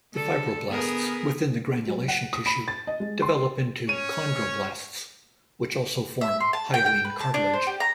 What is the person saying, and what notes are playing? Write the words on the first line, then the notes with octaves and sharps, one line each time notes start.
The fibroblasts within the granulation tissue develop into chondroblasts which also form hyaline cartilage.
D3 A4
B3 G#4 A#4
F#3
F#5
D#6
B5
A6
D#5
G#3
C6
C#4 C#5 D#7
E5
C6
A5
G5
G5
B4
A5
D4
C5
G4
A#5